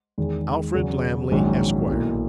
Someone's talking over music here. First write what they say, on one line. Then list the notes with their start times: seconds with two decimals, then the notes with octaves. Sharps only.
'Alfred Lammle, Esquire.
0.18 E2 D#3 G#3
0.75 E2 C#3 F#3
1.31 A#1 G#2 D#3 F#3 C#4
1.88 B1 A#2 F#3 A#3 E4